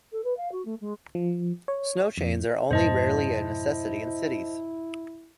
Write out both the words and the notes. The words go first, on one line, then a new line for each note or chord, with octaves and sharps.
Snow chains are only rarely a necessity in cities.
A4
B4
F5
F#4
A3
G#3
F3
C#5
F2
F2 G#2 B2 E4 C5 D#5 A5